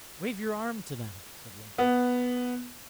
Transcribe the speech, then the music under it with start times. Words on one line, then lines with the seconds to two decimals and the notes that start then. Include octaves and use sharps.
"Wave your arm to them," said Lincoln.
1.78 B3